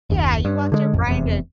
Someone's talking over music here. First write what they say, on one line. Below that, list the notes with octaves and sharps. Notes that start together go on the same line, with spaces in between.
Yeah, you want your brain to
F#1 D#2
G2
D3 F3 G#3
A1 F2
F1 E2 C3